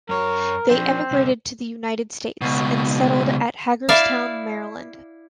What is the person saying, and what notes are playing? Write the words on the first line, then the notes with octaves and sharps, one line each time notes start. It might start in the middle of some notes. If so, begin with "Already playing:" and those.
They emigrated to the United States, and settled at Hagerstown, Maryland.
F#2 A#4 C#5
F3 C4 D4
C2 D3
C#2 B2
E4 D5 E5 F5